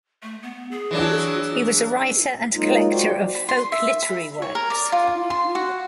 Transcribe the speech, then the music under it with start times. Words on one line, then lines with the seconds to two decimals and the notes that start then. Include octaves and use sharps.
He was a writer and collector of folk literary works.
0.23 A3
0.42 B3
0.71 G#4
0.91 E3 F#3 D4
2.54 F#3 G#3 A#3 D#4 F4
2.91 F#4 C5 D5 G5
3.35 B5
3.49 C6
3.72 E5
4.02 B5
4.42 C#5
4.55 A#4
4.70 D5
4.92 F4
5.30 C6
5.55 F#4